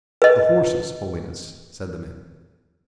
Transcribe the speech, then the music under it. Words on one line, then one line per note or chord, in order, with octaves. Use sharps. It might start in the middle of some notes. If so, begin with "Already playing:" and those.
"The horses, Holiness," said the man.
B4 D#5